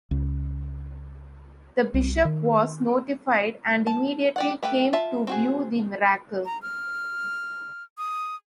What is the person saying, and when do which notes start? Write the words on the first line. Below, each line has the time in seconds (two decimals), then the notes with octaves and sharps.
The Bishop was notified and immediately came to view the miracle.
0.11 C#2
1.94 C2
2.25 D#3
3.87 A5
4.36 G4 D5 F#5
4.63 A3 G4 B4 G5
4.93 F4 E5 A5
5.27 C4 F#4 G#4
6.45 A#5
6.62 F6
7.98 D#6